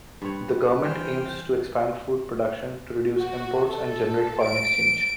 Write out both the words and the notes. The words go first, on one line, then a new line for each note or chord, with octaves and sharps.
The government aims to expand food production to reduce imports and generate foreign exchange.
G2 C4 B4 C#5
E3 C5 G5 F6
F#4
A4
D7